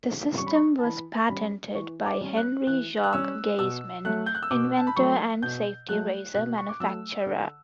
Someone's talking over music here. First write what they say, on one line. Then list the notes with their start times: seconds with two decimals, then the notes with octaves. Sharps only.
The system was patented by Henry Jacques Gaisman, inventor and safety razor manufacturer.
0.38 G3 C#4 C#6
0.47 B5
0.55 C#6
0.79 A5
0.83 E3 B5
1.29 G3 C#4 B5
1.75 E3 C#6
2.06 D6
2.21 G3 C#4
2.37 F#6
2.67 E3 F#6
3.03 F#6
3.13 G3 C#4 E6
3.59 B2 E6
4.05 F#3 A3 F#6
4.26 G6
4.35 F#6
4.43 E6
4.51 B2 D6
4.77 A5
4.87 B5
4.96 F#3 A3 C#6
5.43 B2 G6
5.89 F#3 A3 F#6
6.34 B2 F#6
6.58 C#6
6.69 D6
6.80 F#3 A3 E6
7.26 D3